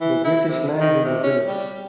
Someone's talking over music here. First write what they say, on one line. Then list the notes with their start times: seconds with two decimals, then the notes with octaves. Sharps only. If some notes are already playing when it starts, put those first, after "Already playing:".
The British lies in the village.
0.01 E3
0.24 E4
0.48 C3
0.80 D#3
1.05 C3
1.23 C#4
1.47 G3